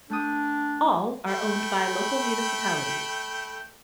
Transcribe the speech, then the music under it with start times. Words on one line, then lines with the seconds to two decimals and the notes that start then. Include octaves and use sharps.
All are owned by local municipalities.
0.10 A3 D4 G5 D#6
1.27 A3 G5 B5